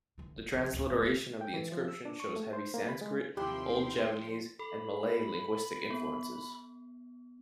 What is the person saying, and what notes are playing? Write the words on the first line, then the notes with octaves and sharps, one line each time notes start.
The transliteration of the inscription shows heavy Sanskrit, Old Javanese and Malay linguistic influences.
D3 E3
F3
B1 F3
D2 A#2
A2 G#3
E3 C4
G5
E3
F3
E6
D4
C#6
A3
C5
A#3
B5
G#3
D#2 C3 F3 E4 G4 G5 C6
A4 B5
B3